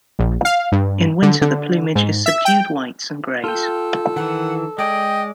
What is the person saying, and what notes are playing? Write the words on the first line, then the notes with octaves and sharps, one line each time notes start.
In winter, the plumage is subdued whites and greys.
A#1
F5
G2
D3
D3
G#2
E5
G5
F4 A4 G5
D#3 E3 F#5
G#3 D5 D#5 G5